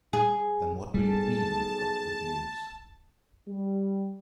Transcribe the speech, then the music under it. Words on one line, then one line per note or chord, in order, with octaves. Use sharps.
Then what do you mean you've got good news?
G#4
B1 G3 G#4 A5
G3